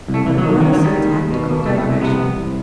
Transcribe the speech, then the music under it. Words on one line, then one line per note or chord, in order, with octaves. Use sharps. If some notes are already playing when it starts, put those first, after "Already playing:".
But what a syntactical digression!
C2
A3
C2 E3
F#3
D#3
F#3
D#3 E3
F#3
D#3
G3
D#2
D#2
B2
B2
C2 A3
A3
C2
C3 B3
C2
C2